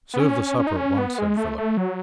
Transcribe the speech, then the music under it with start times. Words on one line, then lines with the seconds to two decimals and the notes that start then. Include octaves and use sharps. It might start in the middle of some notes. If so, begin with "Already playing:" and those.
"Serve the supper at once," said Philip.
0.14 B3
0.20 C#4
0.59 C#4
0.67 D#4
0.76 C#4
0.98 B3
1.18 G#3
1.37 A3
1.58 A3
1.77 F#3